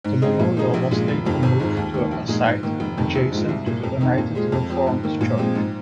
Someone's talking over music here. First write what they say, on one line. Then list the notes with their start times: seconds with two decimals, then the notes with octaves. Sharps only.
The memorial was later moved to a site adjacent to the United Reformed Church.
0.04 G#2
0.22 G#3 C4 D#4 G#4
0.39 A#2
0.57 F3 A#3 D#4 G#4
0.74 A#1
0.91 A#2 G#3 F4
1.08 F1
1.25 F2 D#3 C4 F4
1.43 G#1
1.60 G#2 G#3 F4
1.77 D#2
1.94 D#3 A#3
2.11 A#1
2.28 A#2 G#3 D#4 G#4
2.46 G#2
2.63 D#3 A#3
2.80 F1
2.97 F2 D#3 C4
3.15 A#1
3.32 G#2 G#3 F4
3.48 C2
3.66 A#2 A#3
3.84 F2
4.01 D#3 C4 D#4
4.18 A#2
4.35 G#3 F4 G#4
4.52 F2
4.70 F3 C4
4.87 G#2
5.03 D#3 A#3
5.21 A#2
5.38 F3 G#3 C4
5.55 G#2